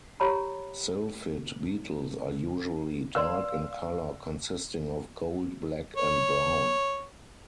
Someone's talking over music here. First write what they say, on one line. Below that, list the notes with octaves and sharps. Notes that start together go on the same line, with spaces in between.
Silphid beetles are usually dark in color consisting of gold, black and brown.
G4 C#5 A#5 B5
B4 D5 F5 C6 E6
C#5